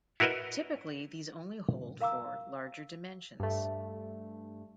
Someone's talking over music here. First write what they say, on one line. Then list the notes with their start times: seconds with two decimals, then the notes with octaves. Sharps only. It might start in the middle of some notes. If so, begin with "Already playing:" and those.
Typically these only hold for larger dimensions.
0.20 E4 F#4 A#4 B4 D#5 E5
2.01 A#4 F5 A#5 D6 E6
3.40 G2 A3